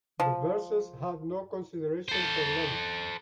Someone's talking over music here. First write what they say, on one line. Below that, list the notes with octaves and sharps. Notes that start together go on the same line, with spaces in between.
The verses had no consideration for length.
F3
A4 C5